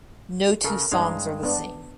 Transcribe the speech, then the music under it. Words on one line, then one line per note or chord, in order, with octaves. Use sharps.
No two songs are the same.
C#3 A4 A#4
G2 G#3 C#4 D#4 F5
B3 D4